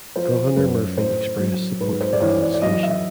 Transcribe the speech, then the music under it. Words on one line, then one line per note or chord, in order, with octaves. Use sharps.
Governor Murphy expressed support for the legislation.
F3 C5
F#2 B4
A2 C5
F#3
G#2 B4
C5
D5
E3 C#5
D5
D5
F#3 D#5
E5